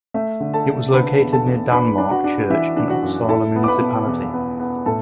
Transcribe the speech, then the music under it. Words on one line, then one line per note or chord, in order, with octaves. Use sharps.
It was located near Danmark Church in Uppsala Municipality.
A3 E5
D3
A4 A5
D3
D3 B4 B5
E2
A4 A5
E2
D4 B4 B5
D4
F#4 F#5
D4
E3 E5
D4
F#4 F#5
F#2
E4 A4 A5
B3
D6
B4 B5
B2
E2
B3
B3
A2 A4 A5